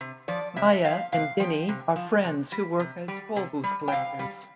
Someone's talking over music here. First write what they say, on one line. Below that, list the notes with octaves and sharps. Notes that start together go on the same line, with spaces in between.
Maya and Dini are friends who work as tollbooth collectors.
C3
F3 D5
C3 E5
E5
F3 F5
C3 F5
F3 G5
C3
F3
C3
G3
C3
G3
C3
G3
G5
C3 F5
G3